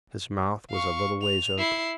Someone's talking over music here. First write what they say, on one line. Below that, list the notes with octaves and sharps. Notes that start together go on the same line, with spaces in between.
His mouth was a little ways open.
F5 C#6
F7
E4 C7